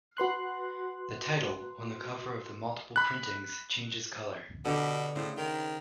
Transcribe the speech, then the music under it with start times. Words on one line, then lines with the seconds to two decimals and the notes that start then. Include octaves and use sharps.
The title on the cover of the multiple printings changes color.
0.17 F#4 B4 C6 F#6
2.96 B5 F#6
4.65 B2 D3 G4
5.15 A2 C#3 C5
5.37 D#3 G5